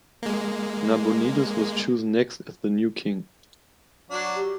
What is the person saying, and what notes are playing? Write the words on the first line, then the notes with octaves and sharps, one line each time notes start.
Nabonidus was chosen next as the new king.
G#3 A#3
F#3 D4
G4